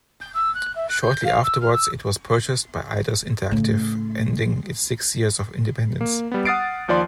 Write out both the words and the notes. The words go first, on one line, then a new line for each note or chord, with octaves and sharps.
Shortly afterwards, it was purchased by Eidos Interactive, ending its six years of independence.
G6
E6
F#6
E5
F#6
G6
F5
E6
F6
E6
A2 C#3
A#3
G3 B3
F#5 D#6 F6 A6 C7 D7
D#2 F3 D5 C6